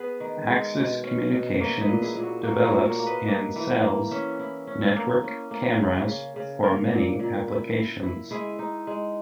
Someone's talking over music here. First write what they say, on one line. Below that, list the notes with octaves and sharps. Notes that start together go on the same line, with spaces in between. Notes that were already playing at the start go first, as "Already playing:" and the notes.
Axis Communications develops and sells network cameras for many applications.
Already playing: B3 G#4 B4
D#3
G#3
B2
C#4
B2
A#3 C#5 E5
B4 D#5
A#2
E4 G#4
A#2
F#4
A#3 F#4
F#4 A#4
A#2
A#4 C#5
A#3
B4 D#5
A#3
E3
A#3
C#4 C#5 E5
E4
C#4
A#3
C#4
A#3
C#3
C#3
C#3
A#3 A#4 C#5
A#2
A#2
E4
E4
E4
G#3 E4 G#4
D#4
G#3